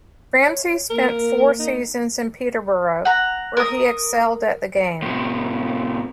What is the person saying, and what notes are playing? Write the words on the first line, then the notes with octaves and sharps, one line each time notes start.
Ramsay spent four seasons in Peterborough where he excelled at the game.
C#5
A#3 A#4
D#4
F#5 A#5
A#4 D#6
A2 C3